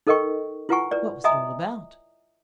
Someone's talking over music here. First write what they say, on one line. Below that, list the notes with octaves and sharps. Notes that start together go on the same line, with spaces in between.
"What was it all about."
D#4 A4 A#4 D#5 G5 C#6
E4 F4 B4 F#5 G#5 C#6
B4 D5
D#5 E5 G#5 A#5 D#6